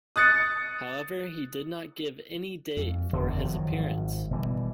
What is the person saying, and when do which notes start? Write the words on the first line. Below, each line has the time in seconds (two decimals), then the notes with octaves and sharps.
However, he did not give any date for his appearance.
0.16 D#6 F#6 A6 C#7
2.77 F2
3.13 F#1 E2 D3
3.44 D#3 F3 F#3
3.72 G#1
4.31 B2 E3 G3